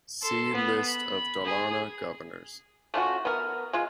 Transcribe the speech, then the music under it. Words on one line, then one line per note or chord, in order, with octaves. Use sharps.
See List of Dalarna Governors.
A4 C6
B3
B5
G#4
A3 C#4 F4 F#4
B3 A#4
G#3 F4